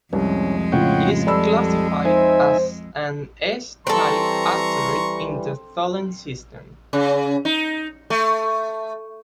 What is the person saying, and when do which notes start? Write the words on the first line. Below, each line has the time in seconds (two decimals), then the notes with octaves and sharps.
It is classified as an S-type asteroid in the Tholen system.
0.13 C2 F2 G#3 C#4
0.72 A2 C#3 F4 C#5 F#5 G5
1.27 G3 A4 D5 B5 E6
2.05 D#4 C5 E5 G#5
3.87 E3 G3 C4 A4 A#5 C6 C#6
6.93 C#3
7.45 D#4
8.10 A3